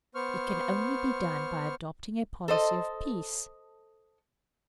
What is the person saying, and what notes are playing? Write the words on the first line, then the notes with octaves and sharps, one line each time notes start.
It can only be done by adopting a policy of peace.
B3 C5 C#6 F6
A4 C5 D#5